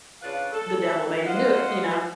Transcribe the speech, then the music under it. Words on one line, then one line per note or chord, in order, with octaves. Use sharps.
the devil made him do it, you know?
C#3 D4 F4 B4 F5
A4
C5 D#5 F5 F#5